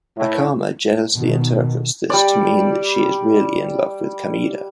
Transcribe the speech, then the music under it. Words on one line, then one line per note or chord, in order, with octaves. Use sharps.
Akama jealously interprets this to mean that she is really in love with Kameda.
A2
B2 D#3
G3 D5